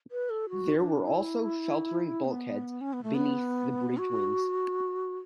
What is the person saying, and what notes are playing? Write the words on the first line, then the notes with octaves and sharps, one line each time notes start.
There were also sheltering bulkheads beneath the bridge wings.
B4
A4
F#4
D4
E4
B3
C#4
B3
A3
B3
F#4